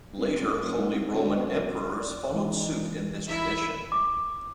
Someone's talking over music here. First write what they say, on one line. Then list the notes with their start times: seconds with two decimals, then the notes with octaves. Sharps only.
Later Holy Roman Emperors followed suit in this tradition.
0.18 C2
0.38 C#2
0.62 F#1
0.78 G#2
0.93 C2
1.13 D2
1.33 B2
1.46 F#2
2.00 D5
2.32 E3 G#3 D#4
3.28 E4 E5
3.92 D6